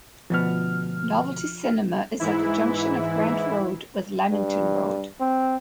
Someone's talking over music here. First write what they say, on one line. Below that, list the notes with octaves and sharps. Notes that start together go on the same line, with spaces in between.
Novelty cinema is at the junction of Grant Road with Lamington Road.
D2 B2 F3 B3 F6
G#2 E3 E4
G2
C4